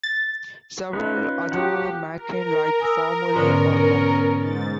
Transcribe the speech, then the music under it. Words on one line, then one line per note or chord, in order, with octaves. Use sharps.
Several other Machin-like formulae are known.
A6
C#4 D#4 F4 B4
F3 G4 F#5
A#4
G#5 D#6 E6
G#2 B2 D3 B3 C#4
G#2 A6